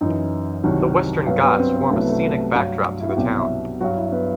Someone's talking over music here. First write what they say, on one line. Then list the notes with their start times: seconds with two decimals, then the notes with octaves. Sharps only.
The Western Ghats form a scenic backdrop to the town.
0.01 F#2 E3 D#4
0.64 C2 C3 D#3 F#3
1.27 G2 F#3 B3
1.43 B3
1.59 C4
1.75 B3
1.91 C2 C3 F#3 A3
1.99 B3
2.09 A3
2.54 G2 F#3
3.00 E4
3.09 F#4
3.17 C2 B2 F#3 G4
3.38 E5
3.81 G2 F#3 F#4
3.97 E4
4.12 B3